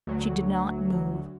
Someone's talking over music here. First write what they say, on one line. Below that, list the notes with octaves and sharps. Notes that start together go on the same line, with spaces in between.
She did not move.
D2 F#3